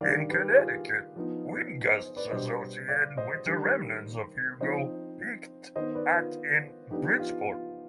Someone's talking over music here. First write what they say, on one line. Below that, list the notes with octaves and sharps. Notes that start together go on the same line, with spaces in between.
In Connecticut, wind gusts associated with the remnants of Hugo peaked at in Bridgeport.
D#3 G3 D4 D5 F5
G4 B4
F4 G#4
F3 B3 D#4
C5 D#5
B4 D5
B2 G3 D4 C5 D#5
D5 F5
C5 D#5
D#3 G3 D4
F3 C4 D#4 C5 D#5
D#3 B3 D#4 C5 D#5
B4 D5
F4
F3 B3 D4 D#4 G4
F4
F4